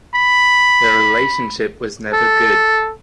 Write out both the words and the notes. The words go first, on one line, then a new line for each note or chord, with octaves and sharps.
Their relationship was never good.
B5
A4